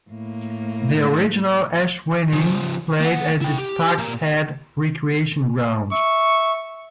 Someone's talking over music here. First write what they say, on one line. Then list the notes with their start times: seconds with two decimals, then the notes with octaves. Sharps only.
The original Esh Winning played at the Stags Head Recreation Ground.
0.10 A2 A#3
2.33 C#3 F3
3.00 A#3 F#5
3.42 E4 G5
3.58 G4
3.98 A#2 A#4
5.92 E5 C#6